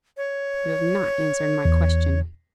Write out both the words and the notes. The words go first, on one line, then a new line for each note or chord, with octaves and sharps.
You have not answered my question.
C#5
E2